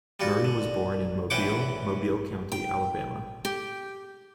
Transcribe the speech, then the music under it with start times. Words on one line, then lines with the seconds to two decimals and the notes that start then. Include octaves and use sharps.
Murray was born in Mobile, Mobile County, Alabama.
0.20 G3 F4 F#4
0.44 D3
1.30 A#1 E3 C#4 F#5 G5 D6
2.52 G5
3.45 G4